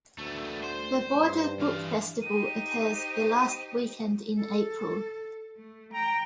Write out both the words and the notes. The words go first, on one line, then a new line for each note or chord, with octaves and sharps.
The Border Book Festival occurs the last weekend in April.
D2 A3 B3
C5
G2
E3 F5
D#4 G4 C5 D#7
A4
A3
G5 A#5